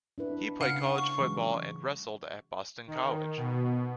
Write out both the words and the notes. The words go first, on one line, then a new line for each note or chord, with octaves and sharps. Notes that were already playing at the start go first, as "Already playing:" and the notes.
He played college football and wrestled at Boston College.
D4 E4 B4
C#3 C#4 F5 F#5 F6
C#6
E3 F#3 G#3
D#3
B2